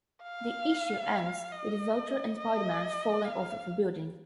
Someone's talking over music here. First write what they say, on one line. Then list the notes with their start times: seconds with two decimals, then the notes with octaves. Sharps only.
The issue ends with the Vulture and Spider-Man falling off of a building.
0.22 F5
1.51 D#5
2.38 D#5
3.25 F5